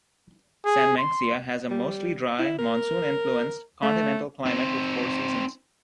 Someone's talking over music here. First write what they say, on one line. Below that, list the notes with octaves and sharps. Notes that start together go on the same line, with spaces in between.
Sanmenxia has a mostly dry, monsoon-influenced continental climate with four seasons.
G#4
C6
G3
E4
A#4
A3
C4 D#4